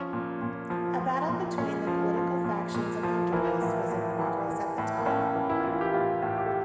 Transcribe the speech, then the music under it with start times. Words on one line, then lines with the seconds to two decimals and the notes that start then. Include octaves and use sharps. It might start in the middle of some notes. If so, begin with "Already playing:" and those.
A battle between the political factions of Honduras was in progress at the time.
Already playing: F3 C#4
0.13 A#2
0.41 A#2
0.70 F3
0.99 F3
1.28 A#2
1.58 A#2 C#4
1.87 F3
2.16 F3
2.44 A#2
2.74 A#2
3.03 F3
3.32 E3 A#3
3.61 A2
3.90 A2
4.19 E3
4.48 E3
4.78 A2
4.99 A#3
5.06 A2 C#4
5.35 E3
5.50 E4
5.60 F4
5.64 E3 E4
5.81 G4
5.93 A2 F4
6.22 A2
6.38 G4
6.46 A4